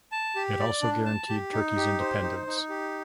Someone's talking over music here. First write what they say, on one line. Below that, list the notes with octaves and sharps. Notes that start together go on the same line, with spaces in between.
It also guaranteed Turkey's independence.
A5
G4
D5
D4
A5
G4
D#4
G4
C5
D#4
D#4
G4